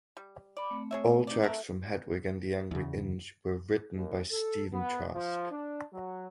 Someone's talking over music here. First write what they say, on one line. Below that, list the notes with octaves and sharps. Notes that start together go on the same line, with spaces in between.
All tracks from "Hedwig and the Angry Inch" were written by Stephen Trask.
G3
D5 B5 D6
A3 C4
G#4 C#5 E5
D#4 D5
A3 A4 A#4 E5
E2 C#3
D#2
A4
B3
F3
D4
F#3